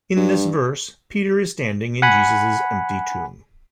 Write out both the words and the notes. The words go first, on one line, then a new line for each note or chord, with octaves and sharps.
In this verse, Peter is standing in Jesus's empty tomb.
G2
F#5 G#5 B5